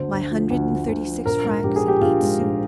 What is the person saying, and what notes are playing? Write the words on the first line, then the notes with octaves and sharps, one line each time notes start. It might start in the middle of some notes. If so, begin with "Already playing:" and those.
My hundred and thirty-six francs and eight sous.
Already playing: D2 D3 C5
D2
F3
D2
D3
D2
F3
A#1 A#4
G#2
A#1 G4
G#4
F3
G4
A#1 F4
G#2
A#1